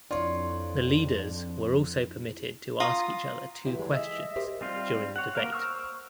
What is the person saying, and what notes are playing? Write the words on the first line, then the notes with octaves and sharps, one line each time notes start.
The leaders were also permitted to ask each other two questions during the debate.
F2 D4 E4 F4 C#5 D5
F4 A#5 D#6
E2 D3 E3 E4 G4
G#3
D#5 E5
G4 A#4 C5
G3 C4 F4
C#5 F#5
A#3 A#4 F5
C5 C#6 E6 F6